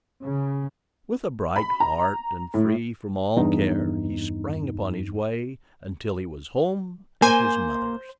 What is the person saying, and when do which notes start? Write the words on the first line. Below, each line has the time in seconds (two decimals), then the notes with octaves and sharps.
With a bright heart and free from all care, he sprang upon his way, until he was home at his mother's.
0.24 C#3
1.56 B5
1.80 A#5
2.54 A2
3.36 E2 G2 D#4
7.22 A#3 C5 G#5